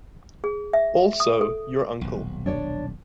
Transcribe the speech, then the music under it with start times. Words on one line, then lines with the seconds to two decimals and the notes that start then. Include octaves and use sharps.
Also your uncle.
0.44 G#4
0.73 E5
1.20 D#6
1.41 A4
2.01 D#1 B1
2.46 D4 C#5 D5